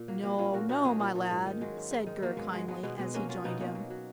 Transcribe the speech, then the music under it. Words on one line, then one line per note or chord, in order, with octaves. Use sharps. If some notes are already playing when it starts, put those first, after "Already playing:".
"No, no, my lad," said Gurr kindly, as he joined him.
Already playing: A#2
F#3 A#3
F#3 A#3
A#2 A#3 C#4
A#2 F#4 A#4
F#3 D#4 F#4
F#3 A#3 C#4
A#2 A#3
A#2
G#2
D#3
F#3 G#3
G#2
G#2
D#3
F#3 A#3
G#2 G#3 B3
F#3 G#3
F#3 G#3 B3
B2 G#3 B3
B2 G#3 B3
F#3 A#3 C#4
F#3 C#4 F4
B2 B3 D#4
B2 A#3 C#4
F#3
F#3